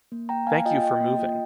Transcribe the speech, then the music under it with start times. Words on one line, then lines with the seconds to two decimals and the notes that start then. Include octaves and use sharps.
Thank you for moving.
0.12 A#3
0.29 A#3 G5 A#5
0.47 A#3 F5 G#5
0.65 F4 D#5 G5
0.83 A#3 D#5 G5
1.01 A#3
1.19 F4